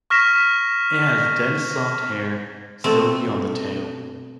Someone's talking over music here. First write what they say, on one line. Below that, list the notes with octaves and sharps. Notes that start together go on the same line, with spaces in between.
It has dense, soft hair, silky on the tail.
C#6 F6 A#6 B6 E7
B2 A3 C4